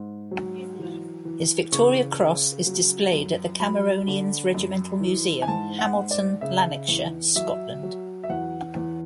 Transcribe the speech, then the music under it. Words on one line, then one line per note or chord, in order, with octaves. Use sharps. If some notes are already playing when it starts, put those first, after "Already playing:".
His Victoria Cross is displayed at the Cameronians Regimental Museum, Hamilton, Lanarkshire, Scotland.
Already playing: G#2
F#3
E3
E3
C#3 C#6
C#3
F#3
F#2
F#3 B5
D3
F#2
E3
G#5
G#2 A5
F#5
G#2
D5
C#3 E5
E2
F#3 E5
F#3
E5
E2 F#5
E2